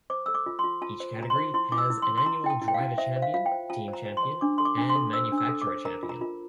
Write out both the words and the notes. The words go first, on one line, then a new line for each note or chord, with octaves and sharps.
Each category has an annual driver champion, team champion, and manufacturer champion.
C5 D6
A4 E6
D6
F4
F4 C6
F4 A5
C5
F4 A#5
C6
C5
E4 C6
E4 D6
E6
E4
C6
E4
C6
E4 A#5
E4 G5
A5
E4
G5
F5
E4
C5 E5
C5
F5
F4 F5
G5
C5
F4 A5
C5
A#5
C5
C6
C5
D4 D6
A4 C6
D6
D4 A#5
C6
A4
C5 E6
D4
E6
A4
D6
C5
A#4 A#5
F4
A#5
F4